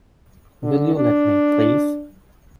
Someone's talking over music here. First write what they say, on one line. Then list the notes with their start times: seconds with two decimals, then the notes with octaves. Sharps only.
Will you let me, please?
0.63 D3
0.95 D4